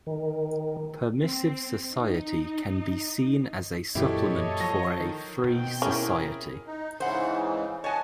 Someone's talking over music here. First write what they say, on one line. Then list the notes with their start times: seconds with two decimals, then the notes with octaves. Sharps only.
Permissive society can be seen as a supplement for a free society.
0.07 D#3
1.22 C4
1.91 D#4
3.95 F#2 A#2 E3 E4 G4 A4 C#5 D#5
4.61 F3 A5 C#6 A#6
5.00 D#3
5.44 B2 C4 G5
5.82 C#4 E4 G#4 A#4
6.67 D#4
7.00 G#2 C#3 E3 C5 F#5
7.84 C#5 D#5 F#5 G#5 A5